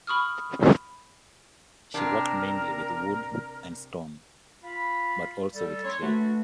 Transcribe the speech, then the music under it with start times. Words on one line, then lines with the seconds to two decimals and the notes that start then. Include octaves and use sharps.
She worked mainly with wood and stone but also with clay.
0.07 B5 C#6 D#6 F6
1.94 C3 D4 A#4
4.64 F4 F5 B5
5.54 G3 A4
5.84 C#4 C#5 C6
6.02 A3 D4 F#4 B4